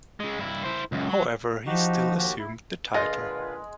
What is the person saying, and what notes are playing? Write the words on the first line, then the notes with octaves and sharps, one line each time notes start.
However, he still assumed the title.
C#3 G#3
G2 E4
E4 C5
C#2 F#2
F#3
F3 D#4 F#4 G4
D#2 F#4 G4
E4
A#2 D3 G#3 F4 B4 D#5